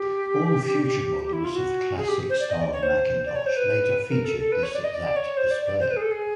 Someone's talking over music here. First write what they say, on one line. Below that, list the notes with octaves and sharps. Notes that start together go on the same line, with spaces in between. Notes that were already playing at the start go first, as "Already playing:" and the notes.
All future models of the Classic style Macintosh later featured this exact display.
Already playing: G4
E4
F4
F#4
G#4
G4
C5
D5
D#5
D5
C#5
C5
D5
C#5
C5
B4
A#4
A4
A4
B4
C#5
D5
D#5
D5
C#5
C5
D5
D5
C5
B4
G#4
A4
G#4